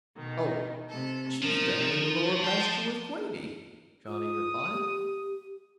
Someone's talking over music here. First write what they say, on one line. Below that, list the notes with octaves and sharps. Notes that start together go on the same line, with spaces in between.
"Oh, she's down in the lower pasture with Queenie," Johnny replied.
B2 D#3
C3 A4
F3 D#4 A#4
A5 C6 G6
F4 D#6
G4